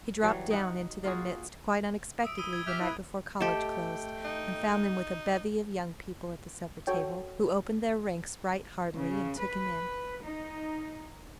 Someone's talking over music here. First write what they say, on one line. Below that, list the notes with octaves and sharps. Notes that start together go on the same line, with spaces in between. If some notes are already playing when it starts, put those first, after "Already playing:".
He dropped down into their midst quite unexpectedly the night before college closed, and found them with a bevy of young people at the supper-table, who opened their ranks right heartily, and took him in.
E3 F#3 G3 C#5
D#4 F#5
A#3 F4 F#4 G#4
E5 D#6 D7
E4 D#6 D#7 G7
G#6
G4 E5 F6
E4 B4
A3 G4 A4 D#5 G5 A5
D#4
F#4 A4 C#5 G5
C#3
B4
D#4